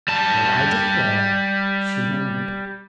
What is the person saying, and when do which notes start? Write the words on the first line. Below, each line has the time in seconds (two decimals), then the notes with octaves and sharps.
'Well, I declare,' she murmured.
0.08 G3 A5